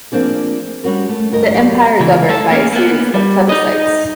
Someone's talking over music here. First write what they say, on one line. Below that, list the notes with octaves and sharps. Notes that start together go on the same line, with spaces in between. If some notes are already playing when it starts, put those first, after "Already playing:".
The Empire governed by a series of plebiscites.
F3 A#3 C4 D4 G#4
G3 C#4 F#4 A#4
A3
D2 G2 A#4 D#5
F#2 F#3 G4 D5 G5
C#2 E3
A3 A4
A#3 C#4
A#3 B3
G3
D#4 D#5